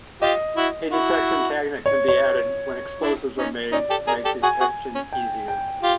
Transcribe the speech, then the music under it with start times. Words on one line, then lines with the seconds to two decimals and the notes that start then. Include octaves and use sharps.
A detection taggant can be added when explosives are made to make detection easier.
0.22 F4 G4 D#5
0.57 E4 F#4
0.92 E4 F#4
1.86 C#5
2.08 C#5
3.02 D4 E4
3.37 C#4 D#4
3.72 C#4 D#4 D5
3.90 G4 A4
4.07 G#4 A#4 D5
4.25 G4 A4
4.43 F#4 G#4 G#5
4.60 F#4 G#4
4.95 C#4
5.12 G5
5.48 G5
5.83 F4 G4